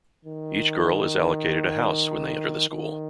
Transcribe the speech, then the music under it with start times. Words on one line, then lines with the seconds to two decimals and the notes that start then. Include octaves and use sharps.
Each girl is allocated a house when they enter the school.
0.25 D#3
2.70 D#3